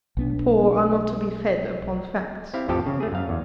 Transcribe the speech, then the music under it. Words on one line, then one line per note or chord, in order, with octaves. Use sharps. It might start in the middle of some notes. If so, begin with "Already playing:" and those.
The poor are not to be fed upon facts.
B1 B3 D4
C4 E4 G4 F5
A1 F2 F3 G4 A4 A5
C#3
A3 G#4
F#2 F5
E2